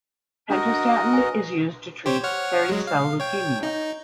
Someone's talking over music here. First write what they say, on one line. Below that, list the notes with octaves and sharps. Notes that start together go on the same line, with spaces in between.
Pentostatin is used to treat hairy cell leukemia.
D4 F#4 A#4 D#5
B4 G#5
G4 C5 C#5
C#5 F#5 F6
F#3 G#3
F5
C#5 G5
D#4